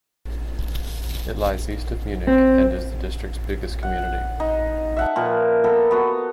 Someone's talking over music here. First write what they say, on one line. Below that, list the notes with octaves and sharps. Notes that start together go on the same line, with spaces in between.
It lies east of Munich and is the district's biggest community.
C4
F#5
D#4
E5 F#5 A5
A#2 F3 B4
A#3 B3 A4 A#5
B3 F#4 A4